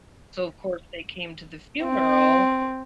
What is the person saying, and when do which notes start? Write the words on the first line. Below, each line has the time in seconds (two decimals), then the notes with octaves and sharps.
so of course they came to the funeral
1.87 C4